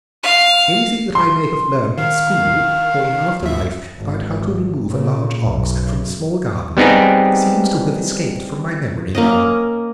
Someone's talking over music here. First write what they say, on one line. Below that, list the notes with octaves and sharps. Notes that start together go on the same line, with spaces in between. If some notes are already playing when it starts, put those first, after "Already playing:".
Anything that I may have learned at school or in after life about how to remove a large ox from a small garden seems to have escaped from my memory now.
F5
C6
D#3 F5
D#2 E5
G#1
A#2 C#3
B1 F#2
G3 B3 C4 D#4 G4 G#4
A#3 C#4 D#5